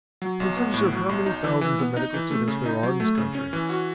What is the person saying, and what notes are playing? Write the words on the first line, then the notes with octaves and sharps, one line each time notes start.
Consider, sir, how many thousands of medical students there are in this country.
F#3
B1
B3
A2
F#3
B1
D#4
E3
E3
B3
D#4
E3
A3
C#3
D#4
F#3
A3
C#3
C#4
E3
F#4